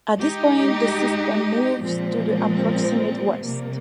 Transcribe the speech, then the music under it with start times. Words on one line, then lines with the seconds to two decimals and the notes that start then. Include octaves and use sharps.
At this point the system moves to the approximate west.
0.16 G#3 D#4 G4
1.80 A#2 F3 G#3 C4
3.44 C3 G3 A#3